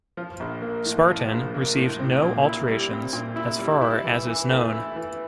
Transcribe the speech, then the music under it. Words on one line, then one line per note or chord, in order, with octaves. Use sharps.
"Spartan" received no alterations as far as is known.
F3
A#1
A#3
A2
F3
A#1
A#3
A2
C4
A#2
E4
G3
C4
A#2
E4
G3
E4
E3
E3
A3
E4
E3